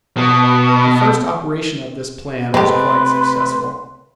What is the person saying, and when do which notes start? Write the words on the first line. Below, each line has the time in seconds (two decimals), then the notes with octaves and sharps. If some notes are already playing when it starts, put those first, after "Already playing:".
The first operation of this plan was quite successful.
0.17 B2
2.54 C3 G#3 A3 C4 G4 B4 C6